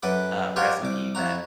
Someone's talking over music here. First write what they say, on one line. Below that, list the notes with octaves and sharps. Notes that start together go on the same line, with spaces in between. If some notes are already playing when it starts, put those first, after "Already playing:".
uh, recipe that
F#2 A4 B4 F#5 D6
F4 G4 A#4 C5 C#5 F#5
C2 D6
F2 E4 F#4 A#5